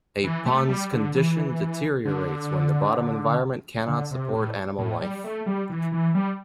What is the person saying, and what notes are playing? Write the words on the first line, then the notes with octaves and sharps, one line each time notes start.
A pond's condition deteriorates when the bottom environment cannot support animal life.
E3
A3
G3
D3
E3
D3
D3
C3
A2
A2
G3
A3
G3
E3
E3
G3